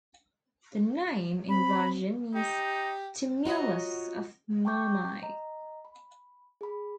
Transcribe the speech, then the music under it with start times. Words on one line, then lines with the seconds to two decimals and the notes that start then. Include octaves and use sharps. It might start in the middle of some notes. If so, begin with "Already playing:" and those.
The name in Russian means "tumulus of Mamai".
1.49 C4 B5
2.35 D#4 G4
3.45 F4 F#4 C#5 D#5 A#5
4.65 G5 A5 C#6 D6 G6
5.23 D#5 A#5
5.85 B5
6.61 G#4 B5